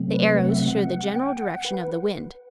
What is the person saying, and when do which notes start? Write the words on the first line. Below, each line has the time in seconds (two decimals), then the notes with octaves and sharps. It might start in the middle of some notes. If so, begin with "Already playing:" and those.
The arrows show the general direction of the wind.
Already playing: C3 F#3 A3 C4
0.13 B4
0.39 F#5
0.49 E5
0.59 F#5
1.15 G5
1.40 F#5
1.65 B4